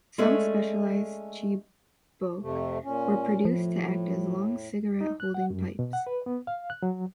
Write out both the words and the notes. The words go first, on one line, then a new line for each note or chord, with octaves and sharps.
Some specialized chibouk were produced to act as long, cigarette-holding pipes.
G#3 A3 C#4 A4 D5
F2 C3 A3
A#2 C#4
A2 F3
D#4
F#6
F#5
F#2
B2
F#5
B4
B3
F5
F#6
F#3